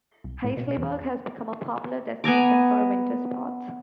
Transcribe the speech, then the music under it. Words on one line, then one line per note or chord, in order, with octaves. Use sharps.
Hasliberg has become a popular destination for winter sports.
C2
A2
B2
E2
B3 G#5 A#5 D6